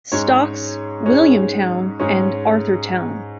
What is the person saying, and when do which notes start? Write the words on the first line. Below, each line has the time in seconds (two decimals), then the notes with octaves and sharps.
Stocks, William Town, and Arthur Town.
0.12 G#2 G#3 C#4 C#5
1.06 G#2 G#3 C#4
2.00 G#2 G#3 C#4